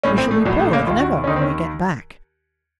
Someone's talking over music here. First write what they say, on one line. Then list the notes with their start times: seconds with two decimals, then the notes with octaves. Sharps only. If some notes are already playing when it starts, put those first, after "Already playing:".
We shall be poorer than ever when we get back.
0.04 A#1 A2 C#4
0.18 C4
0.31 A3
0.45 A#1 A2 F#3
0.59 A3
0.73 A#3
0.86 D#2 F4
0.90 D#3
1.00 F#4
1.24 C#4
1.27 D#2 D#3 D#4
1.36 C4
1.41 C#4